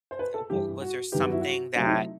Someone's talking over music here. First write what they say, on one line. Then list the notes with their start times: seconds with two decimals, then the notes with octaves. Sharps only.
th wa was there something that
0.11 C5
0.19 B4
0.34 A4
0.50 G2 E3 G3 G4
0.81 F#4
1.12 G2 D#3 F#3 B3 G4
1.22 F#4
1.32 E4
1.41 F#4
1.75 C3 F#3 A3 C4 F#4
1.85 D#4
1.90 E4